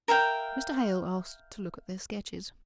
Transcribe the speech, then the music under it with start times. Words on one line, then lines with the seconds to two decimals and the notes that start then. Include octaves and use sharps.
Mr. Hale asked to look at their sketches.
0.08 A#4 E5 F5 G5